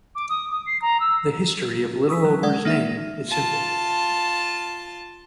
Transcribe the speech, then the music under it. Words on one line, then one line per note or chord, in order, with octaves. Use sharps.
The history of Littleover's name is simple.
D6
D#6
D#6
C7
A#5
E6
C#6 D#6 E6 B6
F#3
G#3 D5 F#5
A#3 D#4 E5
F4 A5